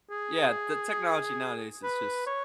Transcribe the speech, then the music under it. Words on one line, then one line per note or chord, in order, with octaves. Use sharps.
Yeah, the technology, nowadays, is just
G#4
B4
C#5